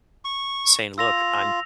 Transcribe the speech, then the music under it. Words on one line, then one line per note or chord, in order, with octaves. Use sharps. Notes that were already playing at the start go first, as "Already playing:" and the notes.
saying, "Look, I'm
C#6
F4 E6 A#6 F7